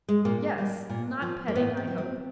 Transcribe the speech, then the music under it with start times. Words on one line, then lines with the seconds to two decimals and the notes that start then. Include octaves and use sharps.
Yes; not petting, I hope.
0.09 G#3
0.25 A#2 A#3
0.58 G3
0.90 A#2
1.22 F3
1.48 A#3
1.55 A2 B3
1.77 C4
1.87 F#3
1.98 C4